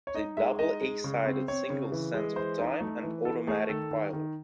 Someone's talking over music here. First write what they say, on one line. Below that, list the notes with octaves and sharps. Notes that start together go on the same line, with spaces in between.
The double A-sided single "Sands Of Time" and "Automatic Pilot".
C#5
D#4 D#5
G#3 E5
D#4 D#5
G#3
C#3
C4
C4 C#5
C#3
E3
G#3
E3 C5
D#4
A3
E3
E3 A4
A3 G#4
D#3 A4
D#3
D#3